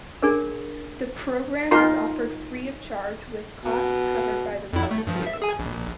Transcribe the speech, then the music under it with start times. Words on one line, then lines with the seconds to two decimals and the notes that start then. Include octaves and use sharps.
The program is offered free of charge with costs covered by the volunteers.
0.22 D4 G#4 A#4 C#5
1.71 D#4 F4 A#4 C6
3.64 B2
4.73 F2 E4
4.91 A3
5.07 G2 F3
5.27 E5
5.42 G#4 G#5
5.59 A#1